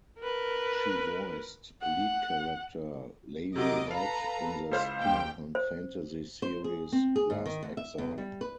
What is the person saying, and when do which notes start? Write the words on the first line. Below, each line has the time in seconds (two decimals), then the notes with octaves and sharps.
She voiced lead character Lavie Head in the steampunk fantasy series "Last Exile".
0.19 A#4 B4
1.82 F#5
3.55 C3 F#3 A#4 D#5 D6
3.91 A4 B4 F5 A#5
4.72 C#2 E4 C5 F6
5.01 D#2 G4 G5
5.55 C5
6.42 C5
6.64 G#4
6.92 C4
7.16 G#4
7.30 G#2
7.46 D#3
7.63 D2
7.77 E5
7.98 E2
8.18 G3
8.41 B4